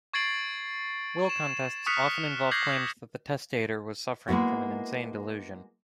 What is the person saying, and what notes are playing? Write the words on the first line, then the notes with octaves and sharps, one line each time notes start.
Will contests often involve claims that the testator was suffering from an insane delusion.
C#6 G#6 A6 C7 D7 F#7
C#6 E7
C#6 D#6 F6 F#6 B6 C#7
D6 G6 G#6 A#6 C7 F#7
G#3 A#3 B3 E4 F#4